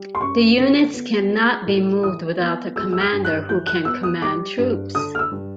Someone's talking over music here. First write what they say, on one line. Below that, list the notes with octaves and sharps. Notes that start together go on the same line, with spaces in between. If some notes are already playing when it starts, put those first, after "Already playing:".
The units cannot be moved without a commander who can command troops.
Already playing: G3
C6
F#2 C#6
D3
B3
G#3
A2
E3 D#6
B3
G#3 E6
E6
F6
G2
F#6
E3 G6
F#6
B3 E6
D#6
G3 D6
G2
D3 D#6
F6
E6
G2